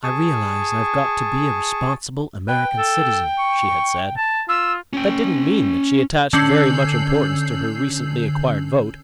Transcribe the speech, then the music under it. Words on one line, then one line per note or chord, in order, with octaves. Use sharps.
"I realize I've got to be a responsible American citizen," she had said. That didn't mean that she attached very much importance to her recently acquired vote.
G#4 A5 C#6
B4 G5
A4
C#6
A5
F4 E6
C#4 G5
D3 C#4 E6 G6 C7 F#7